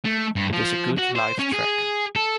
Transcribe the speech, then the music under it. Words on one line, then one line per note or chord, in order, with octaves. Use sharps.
It is a good live track.
A3
G2
F3
F#4
C5
C#4
G#4
A4